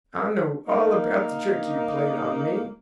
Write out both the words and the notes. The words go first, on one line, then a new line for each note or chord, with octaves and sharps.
I know all about the trick you played on me.
A#3 D#4